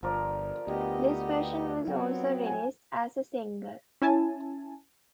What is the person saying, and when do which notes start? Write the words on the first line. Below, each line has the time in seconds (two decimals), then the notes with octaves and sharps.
This version was also released as a single.
0.03 G1 F3 A#4 D5
0.67 D2 B3 G4 D#5
1.87 F#3 B3 C4 G5
2.46 G#5
4.02 C#4 E4 G#5 A5